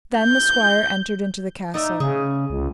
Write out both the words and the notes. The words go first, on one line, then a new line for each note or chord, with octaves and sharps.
Then the squire entered into the castle.
G6
D#4 D5 E5
C#3 G#4
C#2